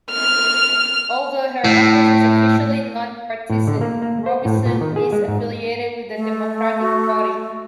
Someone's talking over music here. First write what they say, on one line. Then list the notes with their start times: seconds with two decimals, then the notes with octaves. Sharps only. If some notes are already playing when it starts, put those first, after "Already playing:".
Although her office is officially non-partisan, Robison is affiliated with the Democratic Party.
0.12 F6
1.64 A2
3.50 A2
3.67 D3
3.81 A#3
4.02 A#3
4.26 C5
4.45 A2
4.66 A#2
4.81 D#3
4.96 G#4
5.12 G#3
5.28 G#2
6.16 A3
6.80 F#4